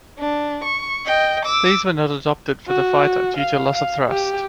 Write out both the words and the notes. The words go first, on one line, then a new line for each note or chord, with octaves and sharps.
These were not adopted for the fighter due to loss of thrust.
D4
C#6
D#5 G5
D6 E6
F#4
F5
F5
G4